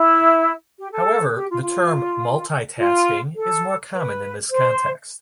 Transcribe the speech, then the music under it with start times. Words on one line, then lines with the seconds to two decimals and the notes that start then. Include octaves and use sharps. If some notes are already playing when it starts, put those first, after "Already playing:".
However, the term "multitasking" is more common in this context.
Already playing: E4
0.77 G4
0.91 A4
1.34 G4
1.49 F4
1.63 F4
2.78 F4
3.35 A4
3.92 B4
4.49 C5